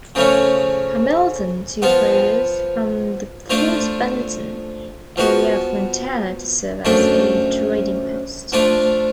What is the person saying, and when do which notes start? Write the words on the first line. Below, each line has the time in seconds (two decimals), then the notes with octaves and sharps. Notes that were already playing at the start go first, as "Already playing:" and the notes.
Hamilton-two traders from the Fort Benton area of Montana-to serve as a trading post.
0.15 C#3 F3 A3 C#4
1.82 F3 B3 F4
3.50 F3 A3 D4 F4
5.17 F3 B3 F#4
6.85 F#2 F3 A3 D4
8.52 F3 A3 D4 F4